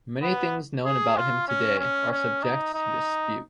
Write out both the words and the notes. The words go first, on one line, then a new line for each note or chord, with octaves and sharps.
Many things known about him today are subject to dispute.
B3
G#4
F4
C#4
C#4
C#4
D#4
D#4